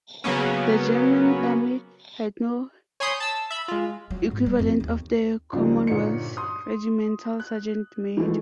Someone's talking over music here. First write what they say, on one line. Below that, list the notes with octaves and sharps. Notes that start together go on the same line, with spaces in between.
The German Army had no equivalent of the Commonwealth Regimental Sergeant Major.
C#3 F#3 A#3 B3 C#4
C#5 G#5 B5 C6 D#6 G6
A5 E6
E5 B5
G#3 F4
F#3
G#2
G3
F2
D#2
C#2 F3 G3 D#4
G1 A#2 D#4 C#7
C6 D#6
F#6
E3 F3 G#3 A3